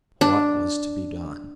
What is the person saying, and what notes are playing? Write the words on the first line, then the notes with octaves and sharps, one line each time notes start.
What was to be done?
D4